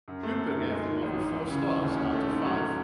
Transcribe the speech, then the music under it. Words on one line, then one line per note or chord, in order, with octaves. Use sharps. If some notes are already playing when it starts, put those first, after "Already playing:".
Hooper gave the novel four stars out of five.
F#2
A3
F#2
D#3
G#3
D#3
A1
G#2
E3
C#3
E1
D#2
C#4
A3
G#2
F#3